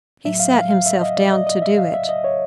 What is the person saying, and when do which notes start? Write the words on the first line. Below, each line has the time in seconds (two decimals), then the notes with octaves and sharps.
He sat himself down to do it.
0.25 A2 F#3 E5
0.40 F5
0.55 F5
0.70 F5
0.86 E5
1.01 D#5
1.17 D5
1.32 D#5
1.47 D#5
1.62 E5
1.78 F5
1.94 E5
2.09 D#5
2.24 C#5